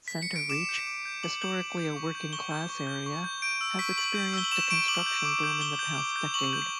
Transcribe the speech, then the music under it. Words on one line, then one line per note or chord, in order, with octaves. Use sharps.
Centereach, historically a working-class area, has experienced a construction boom in the past decade.
B6
C#7
D7
D6 E7
G6
D6
G6
D6 F#7
G6 F#7
D6
G6
C#6
G6
C#6 G7
G6
C#6
G6
C#6
G6
G6 D7
E6
C#6 B6
C#6 F#7
G6
E6 G7
F#7
C#6 E7
C#6 D7
D6 F#7
G6
D6
G6
D6 G7
G6
D6
G6
C#6 F#7
G6